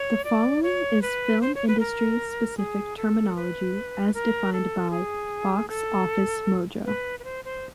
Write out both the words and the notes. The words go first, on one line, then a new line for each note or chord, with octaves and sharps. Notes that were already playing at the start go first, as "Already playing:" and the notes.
The following is film industry specific terminology as defined by Box Office Mojo.
Already playing: C#5
D5
C#5
B4
C5
C#5
B4
A#4
G#4
A4
B4
A#4
A4
G#4
A4
B4
B4
C5
C5